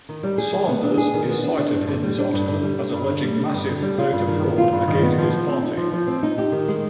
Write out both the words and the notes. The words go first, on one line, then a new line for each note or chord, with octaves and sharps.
Sanders is cited in this article as alleging massive voter fraud against his party.
D#3
G3
G#4
D#3
B3
D4
G#4
D#3
B3
D4
D4
G2
D3
G3
D4
G2
D3
G3
D4
G2
D3
G3
D4
G2
D3
G3
F4
G2
D#3
B3
F4
G2
D#3
B3
F3
F3
C4
D#4
F3
F3
C4
D#4
G4
D#3
G#3